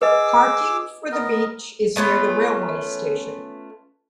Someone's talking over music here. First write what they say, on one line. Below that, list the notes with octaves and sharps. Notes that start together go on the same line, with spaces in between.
Parking for the beach is near the railway station.
G#4 B4 D#5 D6 E6
B3 A#4 D#5
A3 B3 C#4 F4